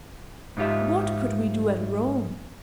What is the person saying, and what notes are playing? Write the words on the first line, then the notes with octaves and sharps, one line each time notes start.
What could we do at Rome?
G#2 D#4 F4 G4 E5